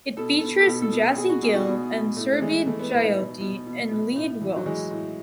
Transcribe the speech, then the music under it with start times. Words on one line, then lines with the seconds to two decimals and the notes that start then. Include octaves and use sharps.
It features Jassie Gill and Surbhi Jyoti in lead roles.
0.17 B2 A4
0.39 B2 A4
0.60 A4
0.67 B2
0.82 A4
0.92 B2
1.16 B2 G#4
1.29 F#4
1.42 B2 G#4
1.54 F#4
1.67 B2
1.91 B2
2.17 A2 A3
2.32 A3
2.41 E3 G#3
2.66 E3 A3
2.79 B3
2.91 A2 B3
3.04 D#4
3.17 B2
3.41 B2
3.67 B2
3.91 B2
4.16 A2
4.41 E3
4.56 F#3
4.66 E3 G#3
4.91 A2